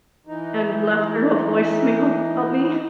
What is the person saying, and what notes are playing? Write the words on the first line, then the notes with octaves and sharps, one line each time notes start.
and left her a voicemail about me.
E3 D#4